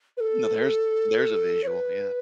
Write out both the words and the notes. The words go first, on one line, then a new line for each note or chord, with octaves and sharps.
Now there's there's a visual, yeah.
B4
A4
C#5
B4